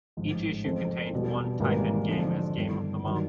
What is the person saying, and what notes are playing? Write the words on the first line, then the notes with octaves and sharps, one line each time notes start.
Each issue contained one type-in game as Game of the Month.
A1 G#2 F3
F2 C#3 F3 A3 C4
E1 E2 B2 G3
G#1 G#2 E3 G3 A#3
F2 D3 F3 A3 D4
G1 G2 D#3 G3
G2 D#3 F#3